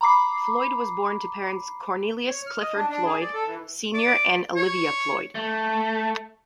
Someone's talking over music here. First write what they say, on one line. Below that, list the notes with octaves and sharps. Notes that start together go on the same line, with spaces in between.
Floyd was born to parents Cornelius Clifford Floyd, Senior and Olivia Floyd.
A#5 B5 D6 C7
C#5
F6
D#5
D4
D4
G#4
D5
A4
E3
D5
C#5
A3